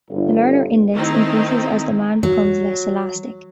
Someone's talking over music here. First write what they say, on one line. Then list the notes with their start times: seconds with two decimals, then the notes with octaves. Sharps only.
The Lerner index increases as demand becomes less elastic.
0.10 G1
0.94 D#3 A3 C4 D#4 E4
2.23 F#3